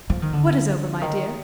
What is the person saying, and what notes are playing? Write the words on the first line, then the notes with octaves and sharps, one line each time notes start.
"What is over, my dear?"
F3
D#3
D3
D#3